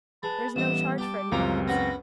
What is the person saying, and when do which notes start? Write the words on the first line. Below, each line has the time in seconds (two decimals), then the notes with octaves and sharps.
There's no charge for admittance.
0.23 G#3 B4 A5
0.56 A1 G3 B3 D#5 E7
0.98 G4 A5 D6
1.32 C#2 F#2 F3 C4 A#5
1.68 B3 C#4 B4 A#6